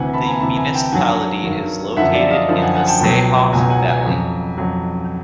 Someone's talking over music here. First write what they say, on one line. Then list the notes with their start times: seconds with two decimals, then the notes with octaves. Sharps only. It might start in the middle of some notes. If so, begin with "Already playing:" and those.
The municipality is located in the Seehof valley.
Already playing: D2 C3 E3 F#5 G#5
0.13 A5 B5
0.26 G#5 A#5
0.40 D2 C3 E3 A5 B5
0.57 G#5 A#5
0.74 G5 A5
0.92 G2 D#3 F#3 F#5 G#5
1.44 G2 D#3 F#3
1.97 F#2 D3 F3 E5 F#5
2.14 D5 E5
2.31 D#5 F5
2.49 F#2 D3 F3
2.62 F#5 G#5
2.74 F#5 G#5
2.88 G5 A5
3.01 C#2 B2 F#3
3.53 C#2 B2 F#3 G#5 A#5
3.70 F#5 G#5
3.88 G#5 A#5
4.06 F2 C#3 F#3
4.58 F2 C#3 F#3